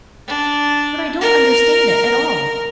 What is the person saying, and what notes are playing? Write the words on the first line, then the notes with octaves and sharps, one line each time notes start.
But I don't understand it at all!
D4
A#4